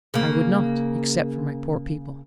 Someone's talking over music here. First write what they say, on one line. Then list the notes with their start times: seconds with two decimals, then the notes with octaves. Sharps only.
"I would not--except for my poor people."
0.14 C#3 A#3